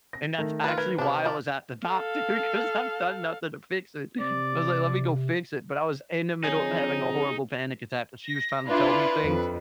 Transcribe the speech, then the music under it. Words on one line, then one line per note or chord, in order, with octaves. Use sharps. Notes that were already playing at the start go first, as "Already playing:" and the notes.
and that's actually why I was at the doctor 'cause I've done nothing to fix it. I was like, "Let me go fix it," but I was in the middle of having a horrible panic attack, but she was trying to tell me things,
A#6
D#3 A3
F4 B4
A#4 B4 G#6
C3 F3 D4
F3 D5
A4 F5
C3 D5
D3 F3 C4 D#4 G#4 C#5
A#6
D4 E4 F4 B4
F2